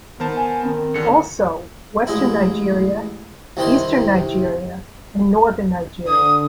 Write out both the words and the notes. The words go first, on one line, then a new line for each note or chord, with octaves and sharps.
Also western Nigeria, eastern Nigeria and northern Nigeria.
D#3 B3 A#4 C5 A5
G#5
D#3 C4
E2 D3 C#7
A1 G#3 E4
C2 C3 D#3 E4 C6
D3 D#6